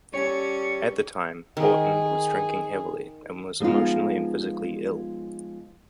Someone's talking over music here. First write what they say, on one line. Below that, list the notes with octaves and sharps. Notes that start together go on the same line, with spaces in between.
At the time, Horton was drinking heavily and was emotionally and physically ill.
G3 C#4 A4 C#5 C#7
D#3 G#4
F3 G#3 B3 D#4 F4